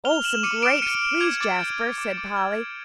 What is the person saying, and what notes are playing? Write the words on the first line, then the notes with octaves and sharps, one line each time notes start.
"Oh, some grapes, please, Jasper," said Polly.
F6 F7 G7
F6 E7 F#7
D6 C#7 D#7
D6 D7 E7
F6 C#7 D#7
F6
D6 G#6
D6 A6
F6 G6
F6
D6
D6
F6 G#6
F6